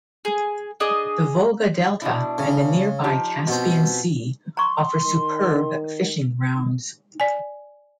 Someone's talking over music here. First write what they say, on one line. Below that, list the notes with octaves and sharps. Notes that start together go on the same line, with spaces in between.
The Volga Delta and the nearby Caspian Sea offer superb fishing grounds.
G#4
D4 G#4 D#5
B2 D4 E4
C#3
F3 D#4 G4
B2 C4
A#5 C6 C#6
D#3
D5 G#5